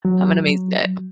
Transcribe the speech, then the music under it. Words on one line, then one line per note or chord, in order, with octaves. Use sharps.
Have an amazing day.
F#3